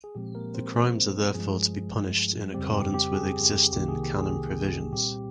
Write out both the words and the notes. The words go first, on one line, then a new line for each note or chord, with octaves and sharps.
The crimes are therefore to be punished in accordance with existing canon provisions.
G#4
A#2 F3 G#3 C4 G4
A#3 A#4
C4 C5
G2 F3 G#3 G#4
F2 C#3 G3 C4 G4
G4
G4
G#4
C2 C3 D#3 A#3 G4
G#4
G4
G#4
A#2 G3 C4 G4